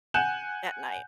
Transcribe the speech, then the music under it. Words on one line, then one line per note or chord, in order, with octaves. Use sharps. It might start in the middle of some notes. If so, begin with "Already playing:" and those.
at night.
F#5 G#5 F#6 G6 E7 F#7